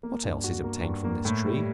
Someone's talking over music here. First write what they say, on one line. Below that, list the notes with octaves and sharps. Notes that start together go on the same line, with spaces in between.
What else is obtained from this tree?
A#3
G2
F#4
A#3
G2
A#3
A2
G3